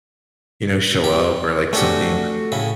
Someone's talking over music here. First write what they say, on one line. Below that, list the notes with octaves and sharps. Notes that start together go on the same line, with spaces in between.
you know, show up or, like, something?
G4
A3 C#4 D4 F#4 G4
A2 C#3 E4